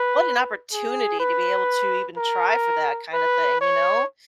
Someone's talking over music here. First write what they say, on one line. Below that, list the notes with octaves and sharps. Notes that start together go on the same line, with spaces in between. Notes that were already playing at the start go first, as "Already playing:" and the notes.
what an opportunity to be able to even try for that kinda thing, you know.
Already playing: B4
G#4
B4
A#4
B4
C#5